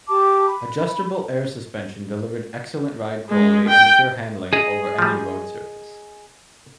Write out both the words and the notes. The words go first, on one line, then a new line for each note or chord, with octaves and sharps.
Adjustable air suspension delivered excellent ride quality and sure handling over any road surface.
G4 A5 D6
B5
G#3
G5
G#4 D#5
F3 G3